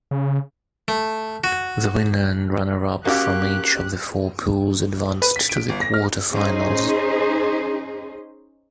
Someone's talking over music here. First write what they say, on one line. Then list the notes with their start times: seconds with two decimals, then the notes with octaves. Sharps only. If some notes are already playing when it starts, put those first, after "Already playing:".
The winner and runner-up from each of the four pools advanced to the quarter-finals.
0.11 C#3
0.88 A3
1.44 F#4
3.05 A#3 C#4 F#4 G4 F#6
5.22 B4
5.36 B6
5.49 D7
5.69 G1
5.81 A#6
5.94 F6
6.33 C#4 D#4 G#4 C5